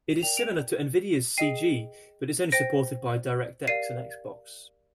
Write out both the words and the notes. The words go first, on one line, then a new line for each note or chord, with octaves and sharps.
It is similar to Nvidia's Cg but is only supported by DirectX and Xbox.
A#4 D5 G5 F7
D7 F7
G#4 D#5 G5 C7 D#7
C5 G5 A#6 D7
G4 A#4 D5 F5 C7 D#7